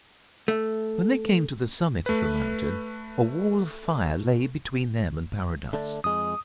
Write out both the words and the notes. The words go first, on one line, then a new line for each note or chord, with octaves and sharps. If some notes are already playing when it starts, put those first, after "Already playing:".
When they came to the summit of the mountain a wall of fire lay between them and Paradise.
A3
A3 B4
D3 A3 D4
F2 G#3 D#6